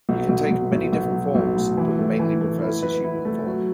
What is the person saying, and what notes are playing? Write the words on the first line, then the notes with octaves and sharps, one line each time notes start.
He can take many different forms but mainly prefers his human form.
B1
B1
B1
B1
B1
F#3
B1
A2
E3
A3
E3
A3
E4
B4
E4
A3
F#3